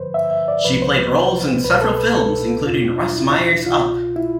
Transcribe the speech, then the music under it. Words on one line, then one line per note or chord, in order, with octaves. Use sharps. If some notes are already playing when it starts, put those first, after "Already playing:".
She played roles in several films, including Russ Meyer's Up!
Already playing: G2 D3 F3 B4 C5
E5
E5
D5
C2 C3 F3 B4
C5
B4
C5
C2 B2 B4
A4
B4
A4
E2 B2 F4
D4
E4
C2 B2 F4
E4